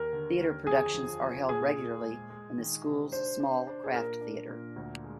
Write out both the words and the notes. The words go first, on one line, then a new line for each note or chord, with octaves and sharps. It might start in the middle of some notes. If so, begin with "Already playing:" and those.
Theatre productions are held regularly in the school's small Kraft Theatre.
Already playing: D#2 A#4
D3
D#2
F2 G#4
F3
F3
A#2 G#4
A#2
G#3
G#3
D#3
C3
D4 C5
D4
D4
G#4
A#2 A#4
D4
A#2
D2
G#3